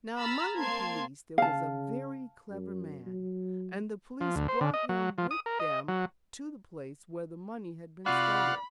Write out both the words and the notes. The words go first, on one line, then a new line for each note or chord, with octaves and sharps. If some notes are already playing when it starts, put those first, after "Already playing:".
Now, among the police there was a very clever man, and the police brought him with them to the place where the money had been stolen.
A#5 B5 E6 F6 A6
A#3 C4 F5 A5 C6 G#6
C#3 F5 A5
F#2
F#3
F3
D2
C5
D3
D#5
F#3
F3
D#6
A#4
D#5
F#3
C3 F4 F#4 D5 F5 F#5 B5